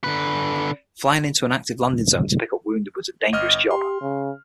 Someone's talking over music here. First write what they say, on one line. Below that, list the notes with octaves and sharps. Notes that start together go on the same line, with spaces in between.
Flying into an active landing zone to pick up wounded was a dangerous job.
D3 B4
G1 D#5 F6
G4 C6
C#3